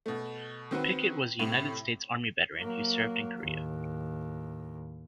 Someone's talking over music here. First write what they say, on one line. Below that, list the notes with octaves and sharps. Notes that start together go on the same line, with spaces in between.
Pickett was a United States Army veteran, who served in Korea.
B2 A3
D#3 C4 F#4 B4
A2 C3
F#3 A#3
D#2 A2